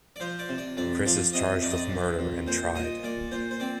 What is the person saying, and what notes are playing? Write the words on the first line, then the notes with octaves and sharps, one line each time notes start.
Chris is charged with murder and tried.
D5
F3 C5
D5
C3
D5
F2 D5
F3 D5
C3 D#5
F2 D5
D#5
D5
F2
F2
A#2 C5
A#2 D#5
A#2 D5
A#2 C5
C5
C4 D5